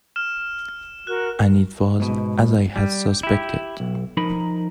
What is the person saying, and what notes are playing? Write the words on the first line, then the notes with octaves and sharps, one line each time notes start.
And it was as I had suspected.
F6 E7
F#4 A#4 F#6
G#2 B2
G3
E4 G4
B1
F3 D#4 A#4 B5